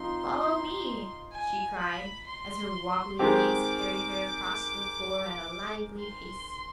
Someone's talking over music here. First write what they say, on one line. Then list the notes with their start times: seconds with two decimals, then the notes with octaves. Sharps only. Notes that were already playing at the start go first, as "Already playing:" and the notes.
"Follow me!" she cried as her wobbly legs carried her across the floor at a lively pace.
Already playing: F3 C4 D#4 C6
1.32 G#5
1.79 B5
2.27 C6
3.19 D#3 G#3 C4 G4 D6
6.00 C6